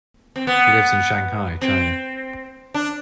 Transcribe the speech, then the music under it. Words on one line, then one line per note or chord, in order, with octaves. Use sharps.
He lives in Shanghai, China.
C4
B3
C4
D4